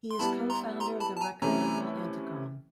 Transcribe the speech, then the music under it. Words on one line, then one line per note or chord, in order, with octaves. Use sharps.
He is co-founder of the record label Anticon.
C6
G3 B3 E4 A5 B5
A#5 C6
A#5 C6
A5 B5
A5
G#5 A#5
C3 E3 A3 C#4 E4 G#5 A#5